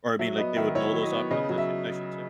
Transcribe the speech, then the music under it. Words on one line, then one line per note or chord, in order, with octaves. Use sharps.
or I mean, like, they would know those options I should I should say.
F#3 E5
B3 D#5
D#3 E5
E4 C#5
F#3
D#5
B3
C#3 D#5
F#3
E5